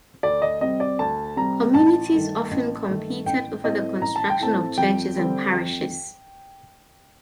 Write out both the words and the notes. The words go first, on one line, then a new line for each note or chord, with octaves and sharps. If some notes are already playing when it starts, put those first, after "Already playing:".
Communities often competed over the construction of churches and parishes.
D2 D5
D#5
C3 G3 C4 D#5
D5
D2 A5
C3 G3 C4 A#5
A1 A5
G2 D#3 A3
A1
G2 D#3 A3
A1 G5
A2 A3 C4 D#5
A1 A#5
A5
G5
A2 A3 C4 A5
F2 G5
D3 G3 C4
F2